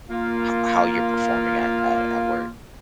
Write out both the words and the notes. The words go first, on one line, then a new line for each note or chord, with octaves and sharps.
h how you're performing at at at work?
A#3 F4